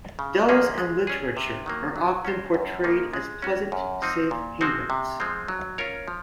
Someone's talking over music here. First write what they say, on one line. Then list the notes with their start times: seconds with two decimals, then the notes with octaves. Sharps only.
Dells in literature are often portrayed as pleasant safe havens.
0.19 C#3
0.49 F3 A#3 C#4 G#4
0.78 G#3
1.07 C#4 G#4
1.37 C3
1.66 D#3 F#3 A#3
1.96 F#3
2.25 C#4 F#4 C5
2.54 F#2
2.83 C#3 F3 A#3 D#4
3.14 G#3
3.42 C#4 F#4
3.72 F#2
4.02 F3 C4 D#4
4.31 A#2
4.61 F3 G#3 C4 F#4
4.90 C3
5.20 F3 G#3 C4
5.48 F#3
5.78 C#4 F4 A#4 C#5
6.08 F3